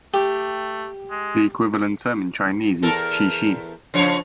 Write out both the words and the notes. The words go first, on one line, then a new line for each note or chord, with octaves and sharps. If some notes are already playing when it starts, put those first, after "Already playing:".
The equivalent term in Chinese is "cishi".
A3 G4
G#3
E2 A4 A#4
C#3 F3 C#5